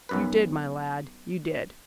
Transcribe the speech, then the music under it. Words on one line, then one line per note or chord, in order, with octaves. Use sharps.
"You did, my lad; you did."
B1 F#2 B4